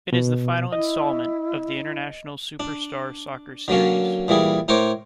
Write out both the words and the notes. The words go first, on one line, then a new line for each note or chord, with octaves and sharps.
It is the final installment of the "International Superstar Soccer" series.
B2
E4 D#5
D4
D3 F#3 A#3 C#4
A#2 E3 G3 G#4
A2 A#4 C5 C#5 D6